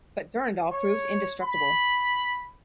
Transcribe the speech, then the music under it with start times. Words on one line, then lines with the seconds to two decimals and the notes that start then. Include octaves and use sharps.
But Durendal proved indestructible.
0.71 C#5
1.43 B5